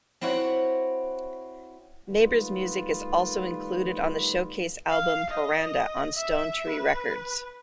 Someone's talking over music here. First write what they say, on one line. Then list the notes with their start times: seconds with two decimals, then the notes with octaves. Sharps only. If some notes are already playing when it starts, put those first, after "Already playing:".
Nabor's music is also included on the showcase album "Paranda" on Stonetree Records.
0.21 C4 E4 F#4 C#5 F#5
2.06 D#3 G3 A3 B3 F4
4.90 F5
5.30 D#5
6.16 E5
6.70 B4